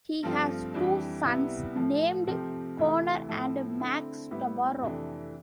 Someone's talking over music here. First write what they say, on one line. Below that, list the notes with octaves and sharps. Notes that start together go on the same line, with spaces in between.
He has two sons named Connor and Max Tabarrok.
G2 F3 A3 C4 F4
F2 E3 G3 D4
C2 C3 G3 B3 E4
A2 F3 A3
C3 F3 A3 C4 G4
D2 C3 E3 A3 E4
A2 F3 A3 C4 E4
D3 A3 C4 E4
A2 G3 B3 E4 G4
F2 C3 E3 A3 D4